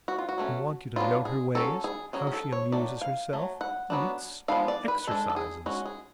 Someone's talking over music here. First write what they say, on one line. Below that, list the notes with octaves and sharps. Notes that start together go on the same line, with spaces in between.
I want you to note her ways, how she amuses herself, eats, exercises.
F#4
F4
F#4
F#3 A3 C#4
F#3 B3 D4 F4
G#4
F#3 C#4 A4
G#4
F#3 C#4 G#4
G#4
A4
C#5
F#3 A3 D5
F5
F#3 A3
F#5
F#3 B3 D4
F3 G#3 B3 D4 F5
D5
B4
G#3 D4 A4
A4
G#4
G#3 C#4 F#4
G#4